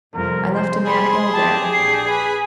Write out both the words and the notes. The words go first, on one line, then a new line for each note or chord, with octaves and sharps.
I left a man ill there.
G1 C2 F2 A#4
C5
E4 G#4 C5 B5 C6
G4 A5
A#1 D3 D5 C7
B4 G#5 B5 B6